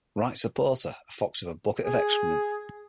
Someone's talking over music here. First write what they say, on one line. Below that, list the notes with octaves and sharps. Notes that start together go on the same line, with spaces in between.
Right Supporter a fox with a bucket of excrement.
G#4